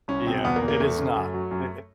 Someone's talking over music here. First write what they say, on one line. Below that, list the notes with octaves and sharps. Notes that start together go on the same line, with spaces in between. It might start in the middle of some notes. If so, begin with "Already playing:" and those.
Yeah, it is not. I It
C2 C#4
B2 C4
E2 B3
A#3
E2
A#3
E2 A3
C#3
F#2
F#3
F#2